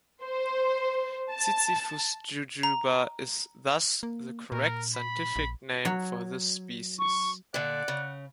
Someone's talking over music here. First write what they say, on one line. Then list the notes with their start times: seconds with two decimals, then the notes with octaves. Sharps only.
"Ziziphus jujuba" is thus the correct scientific name for this species.
0.22 C5
1.30 A5
2.63 A#5
4.03 A#3
4.52 A#2 A#4
4.96 B5
5.36 A#1
5.85 F#3
6.99 C#6
7.54 A#2 D3 D5 F#5
7.88 C#3